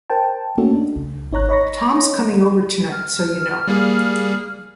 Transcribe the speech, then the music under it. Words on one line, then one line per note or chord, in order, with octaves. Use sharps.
Tom's coming over tonight, so you know.
A#4 C5 G5 A5
A3 A#3 C#4 D#4 F#4 A4
D4
C#2
G#1 D#4 C#5 A#5 F#6
C#5 D#5 B5 C#6 A#6
F6
G3 A#3 G#4